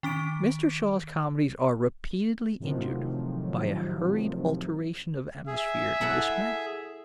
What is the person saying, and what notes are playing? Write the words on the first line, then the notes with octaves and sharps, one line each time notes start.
Mr. Shaw's comedies are repeatedly injured by a hurried alteration of atmosphere in this manner.
D#3 C#4 D6 D7
A2 C3 D#3 F3 F#3
G#4 E5
E4 A4 F#5